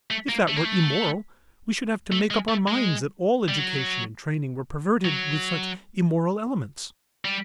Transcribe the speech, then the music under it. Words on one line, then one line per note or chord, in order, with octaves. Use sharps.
If that were immoral, we should have to make up our minds that all education and training were perverted with such immoral elements.
A3
A#3
A3
A#3
A3
A3
G#3
A3
G#3
G3
F#3
F#3
G3